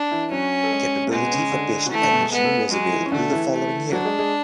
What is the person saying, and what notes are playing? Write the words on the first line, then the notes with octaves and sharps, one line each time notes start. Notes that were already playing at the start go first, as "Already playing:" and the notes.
Capability for patient admission was available the following year.
Already playing: D4
E3 E4
F#3 C#4 F#4
A4
G#3 G#4
A3
B2 G#3 B3
B3
C#3 C#4
D3 D4
F#4
E3 A3 E4
D3 D4
B2 B3
G#3 G#4
G#3 B3 G#4
A3 A4
G#3 G#4
F#3 G#3 F#4
E3 E4
C#4
D3 A3 D4
E3 E4
A3
F#3 D4 F#4
G#3 G#4
G#3 G#4